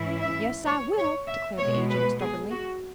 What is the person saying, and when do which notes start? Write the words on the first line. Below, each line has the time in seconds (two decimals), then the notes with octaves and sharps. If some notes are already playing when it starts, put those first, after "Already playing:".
"Yes, I will," declared the agent, stubbornly.
Already playing: G#2 E3 C#4 E4
0.21 E5
0.66 C#5
0.98 C#5
1.27 E5
1.58 B2 G#3 B3 C#5
1.89 B4
2.20 G#4
2.50 F#4